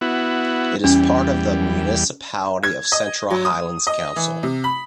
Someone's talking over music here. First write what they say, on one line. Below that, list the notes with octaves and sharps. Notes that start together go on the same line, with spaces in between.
It is part of the municipality of Central Highlands Council.
B3 E4 F#4
E2 G3 C#4
G#6
D#5
F#3
D#6
D#5
E3
C3
B5